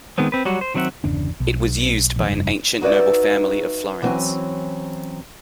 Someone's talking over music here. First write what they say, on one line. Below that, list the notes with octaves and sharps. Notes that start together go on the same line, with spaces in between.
It was used by an ancient noble family of Florence.
D#3 G#3 B3 C4
C4 B4
F#3 G3 F#4
C5
D#3 F#3 C4 E5 F#5
G1 E2 C#3 D4
B1
A#1 D#2
F1 G2
D#4 F#4 B4 D5 E5
E3 F#3 C4 C#4